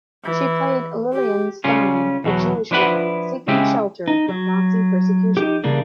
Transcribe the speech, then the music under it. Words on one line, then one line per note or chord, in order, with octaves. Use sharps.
She played Lillian Stein, a Jewish woman seeking shelter from Nazi persecution.
E3
G4
C#3 G3 C#4 F4
E2 B2 E3 F#3
F3 D4 E4 B4 F#5
C#3 G#3 E4 G4
D#4
F#3
D#4 G4
C#3 E3 G3 A#3 D4 G#4